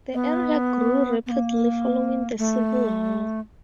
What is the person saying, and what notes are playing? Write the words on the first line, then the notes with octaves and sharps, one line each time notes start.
The area grew rapidly following the Civil War.
B3
B3
A#3
A3